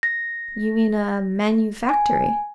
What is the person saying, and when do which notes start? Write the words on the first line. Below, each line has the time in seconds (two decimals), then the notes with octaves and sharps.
You mean a manufactory.
0.03 A#6
1.89 G#5